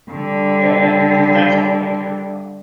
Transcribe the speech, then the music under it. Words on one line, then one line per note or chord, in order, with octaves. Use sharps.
And that's all that I cared about.
D3 G3